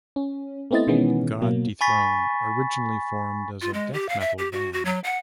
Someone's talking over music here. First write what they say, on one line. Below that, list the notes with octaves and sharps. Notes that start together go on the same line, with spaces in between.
God Dethroned originally formed as a death metal band.
C#4
A3 B3 C4 E4 D#5 A6
B2 D#3 E3 G#3 B3 C#4
B2 F#3 A#3
G#5 B5 C#6 A6 B6
F4
G#3
G4
F5
E5
G4
F#4
F#4
F#3
F#5